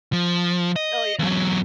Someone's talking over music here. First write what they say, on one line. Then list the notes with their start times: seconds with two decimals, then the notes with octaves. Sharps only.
Oh yeah.
0.13 F3
0.76 D#5
1.19 E2 F#3